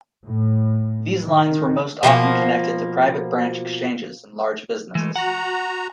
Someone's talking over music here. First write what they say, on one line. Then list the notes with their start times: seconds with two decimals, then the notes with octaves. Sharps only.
These lines were most often connected to private branch exchanges in large businesses.
0.23 A2
1.23 D#3
2.03 B2 F3 A3 A#3
4.95 B2 E3 G#3 A3
5.16 F#4 F#5 A#5